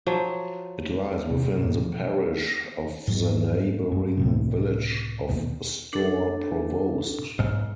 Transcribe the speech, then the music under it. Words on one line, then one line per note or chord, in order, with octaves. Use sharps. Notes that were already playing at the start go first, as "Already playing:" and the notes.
It lies within the parish of the neighbouring village of Stour Provost.
F3 F#3
D#2 C3 C4 C#4
B2
D1 F2 A2 A#3
B2 F3
G#2 F#3
G2
C#2 A2 C3
D#2 B2
D4 A4
B1 G#2